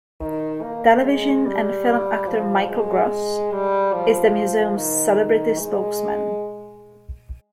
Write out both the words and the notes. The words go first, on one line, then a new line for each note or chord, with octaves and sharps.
Television and film actor Michael Gross is the museum's "celebrity spokesman".
D#3
A#3
G#3
G3
F3
G#3
G3
F3
D#3
G#3